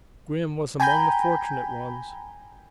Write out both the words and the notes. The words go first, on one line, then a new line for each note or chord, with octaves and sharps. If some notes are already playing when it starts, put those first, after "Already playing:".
Grim was among the fortunate ones.
G5 G#5 A#5 B5 G6